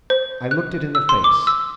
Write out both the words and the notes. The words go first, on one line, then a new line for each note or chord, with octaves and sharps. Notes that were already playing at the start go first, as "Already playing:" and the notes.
I looked it in the face.
C5
F#6
E6
C6
D6
E6